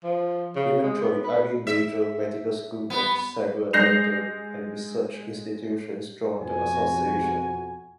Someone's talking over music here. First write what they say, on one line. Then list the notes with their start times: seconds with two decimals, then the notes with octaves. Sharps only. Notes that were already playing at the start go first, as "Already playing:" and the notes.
Eventually every major medical school and several dental and research institutions joined the association.
0.04 F3
0.56 C#3
0.84 G#3
1.02 B3
1.24 B4
1.67 E5
2.90 B3
3.73 G#3 G6 A#6 C7 F7
6.40 F2 B2 F#4 G#5